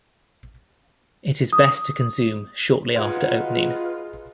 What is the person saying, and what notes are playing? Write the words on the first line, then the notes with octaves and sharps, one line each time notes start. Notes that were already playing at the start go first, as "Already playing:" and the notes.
It is best to consume shortly after opening.
D#6
G#3 D#4 F4 F#4 B4